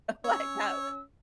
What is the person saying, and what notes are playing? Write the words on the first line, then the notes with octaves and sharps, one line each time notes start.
like, have
C#4 C#5 E6